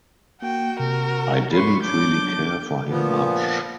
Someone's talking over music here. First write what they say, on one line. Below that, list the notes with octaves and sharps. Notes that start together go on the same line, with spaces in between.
I didn't really care for him much.
A#3 F#4 G5
C3 A#4
F#3 B4 C6 C#6
D4 D6 G6
A#2 F3 B3